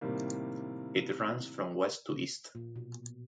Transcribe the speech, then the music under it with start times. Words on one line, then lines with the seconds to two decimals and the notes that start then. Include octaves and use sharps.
It runs from west to east.
0.01 A2 C3 D#3 G3 A#3
2.55 A#2
2.76 B2